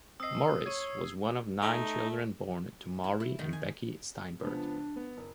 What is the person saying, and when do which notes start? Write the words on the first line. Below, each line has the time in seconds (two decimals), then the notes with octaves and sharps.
Morris was one of nine children born to Morry and Becky Steinberg.
0.20 C4 D#5 D#6 E6 C7
0.66 C#5 G#6 D#7
1.62 A3 D#4
3.04 E4
3.20 E4
3.39 D#3
3.53 G#5
4.42 C#2 F3 B3 D4
4.96 B3
5.17 F#1